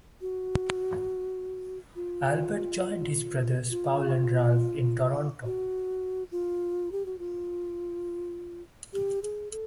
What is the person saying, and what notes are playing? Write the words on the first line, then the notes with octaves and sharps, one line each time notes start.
Albert joined his brothers Paul and Ralph in Toronto.
F#4
F4
F4
F#4
F4
G4
F#4
F4
G4
G#4
A4